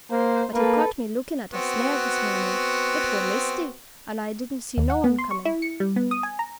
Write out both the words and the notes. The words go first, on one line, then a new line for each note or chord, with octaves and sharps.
But he caught me lookin' at a snare this mornin'--it wor misty, and I didn't see no one comin'.
A#3 C5
A#3 A4 B4
B3 C4 F#4
D#2
F#5
B3
C6
C#6
E4
C#7
G3
B3
D#6
G#5
A#5